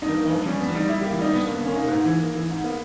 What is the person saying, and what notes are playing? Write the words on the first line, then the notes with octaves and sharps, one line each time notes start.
The only thing is for you to go back.
G2 D#4
A#3
G2
G3 C#4
G2 B3
G3 D#4
G3 E4
G4
A#3
E4
G3 D#4
G2 B3
A#3
G2
B3
A#3 C#4
A#3 D#4
G#2
E3
A#3
E3
G#2
A#3 B3